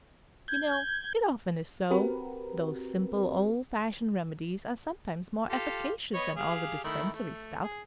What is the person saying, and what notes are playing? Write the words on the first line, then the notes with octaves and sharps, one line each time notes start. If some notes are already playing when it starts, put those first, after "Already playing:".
You know, it often is so--those simple, old-fashioned remedies are sometimes more efficacious than all the dispensary stuff.
G6 G#6
C4 F#4 G4 A#4 B4
F4 G4 A4
B3 C#5 D#5
G4 G#4 F5
D#3 A3 E4
A3
G#4